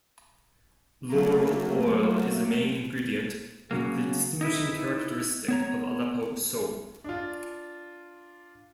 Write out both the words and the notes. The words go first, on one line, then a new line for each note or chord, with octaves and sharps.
Laurel oil is a main ingredient, and the distinguishing characteristic of Aleppo soap.
F#3 A3 A#3
C#3 F#3 A#3
D#4 E4 B4
B3 C#5 A#5
D4 F4